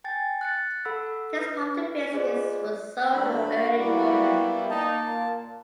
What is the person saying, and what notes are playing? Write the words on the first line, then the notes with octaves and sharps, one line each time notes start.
This part of the business was sold to Early Moments.
G5 G#5 A6
F#6 A6 C#7
A4 F#5 B5 E6 B6
B4
F4 G#4 C5 D5 D#5
F#3 A3 D4 B5
F#4
G3 A#3 B3 E4
A#3 D#4 A5
A#2